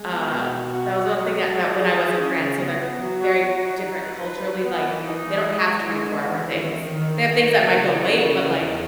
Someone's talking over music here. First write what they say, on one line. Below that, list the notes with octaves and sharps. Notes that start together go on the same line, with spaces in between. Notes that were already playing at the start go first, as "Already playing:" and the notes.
uh, that was one thing that that when I was in France, so they're very different culturally, like, they don't have twenty-four-hour things, they have things that might go late, but like
Already playing: G#3
B3
B2
B2
F#4
F#4
F#3
F#3
G#4
G#4
G#4
C#4
C#3
B3
B3
F#3
F#4
F#4
D#4
D#4
B4
B4
B4
B3
E3
D#4
G#3
G#3
E3
G#3
B3
E3
D#3
D#3
D#3
D#3
A#3
C#3
E3
C#3
C#3
E3
E2